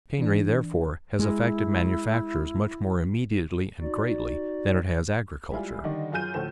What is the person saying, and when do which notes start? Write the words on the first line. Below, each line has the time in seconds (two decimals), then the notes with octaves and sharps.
Machinery, therefore, has affected manufactures much more immediately and greatly than it has agriculture.
0.19 E3 D4
1.19 G#3 E4
3.81 D#4 F#4 D5
5.51 G3 G#3 E4 F4 G#4
5.84 D3 D#3 G3 D4 D#4
6.12 F#2 F4 G#4 F6 G6 D#7
6.34 D2 A2 F3 A4 C5 E7